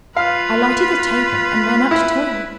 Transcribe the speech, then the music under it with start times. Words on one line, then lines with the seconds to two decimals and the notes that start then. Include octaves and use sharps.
I lighted the taper, and ran up to tell you.
0.17 F4 B4 F5
1.91 E4